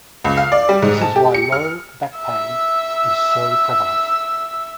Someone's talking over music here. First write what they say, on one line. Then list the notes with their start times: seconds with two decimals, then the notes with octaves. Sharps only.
This is why low back pain is so prevalent.
0.24 C#2
0.37 F5
0.52 D5
0.69 G3
0.82 G#2
1.01 A5
1.16 G4
1.34 C#7
1.52 F6
2.18 E5 E6